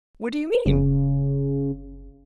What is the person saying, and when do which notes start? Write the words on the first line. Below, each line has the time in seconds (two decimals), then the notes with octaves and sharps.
"What do you mean?"
0.66 F#1 C#3